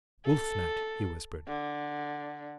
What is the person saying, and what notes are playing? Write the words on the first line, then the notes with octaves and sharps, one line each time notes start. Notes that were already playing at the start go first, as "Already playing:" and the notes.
"Wolf night!" he whispered.
A4
D3